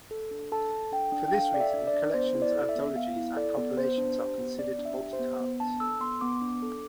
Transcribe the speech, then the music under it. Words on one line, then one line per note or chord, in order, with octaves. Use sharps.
For this reason, collections, anthologies, and compilations are considered multicarts.
A4
D4
A4 A5
A4
D4 G5
D4
G5
A4 F5
A4 D5
E5
D4
D5
D4
B3 C5
E4
D5
A4
E5
B3
B3 F5
E4
A4 D5
B3
B3 C5
D4
G4
B3
B3 D5
D4
E5
G4
C5
B3
B3
D4 A5
A4 E6
B3 C6
B3 D6
D4
A4